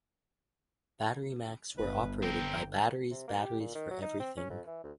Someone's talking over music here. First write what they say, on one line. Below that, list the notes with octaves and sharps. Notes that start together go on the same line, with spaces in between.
BatteryMax were operated by Batteries Batteries for Everything.
G1 B4
C4 A#4 G5
C3
A#3
G4
A#2
D#3
F#3
D#4
C4
C#4
F2
E3
D2